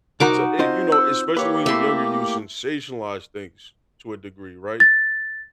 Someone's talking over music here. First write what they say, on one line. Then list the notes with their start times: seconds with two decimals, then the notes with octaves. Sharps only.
to a you know, especially when you're younger, you sensationalize things to a degree, right?
0.20 C2 D#4 F#4 A#4 A#5 D6
0.59 C4 F4 C5 D#5
0.92 E6
1.37 A#3 G4 B4 C#5
1.66 A3 E4 E5 C6
4.80 A6